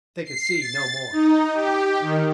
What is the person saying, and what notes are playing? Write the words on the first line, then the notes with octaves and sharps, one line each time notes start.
They could see no more.
C7
A6
D#4
G4
D#3